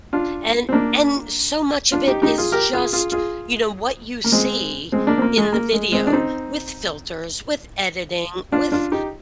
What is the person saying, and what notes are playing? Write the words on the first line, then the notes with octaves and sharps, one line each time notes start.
And and so much of it is just, you know, what you see in the video with filters, with editing, with,
D4 F4
C4
A#3 D4
D4 F4
D#4 G4
D#4 G4
F4 G#4
G4 A#4
F4 G#4
F4 G#4
F4 G#4
A#3
G#3 C4
G#3 C4
A#3 D4
C4
A#3
G#3
A#3
G#3
G#3 C4
D4
C4 D#4
D4 F4
D4 F4
D#4 G4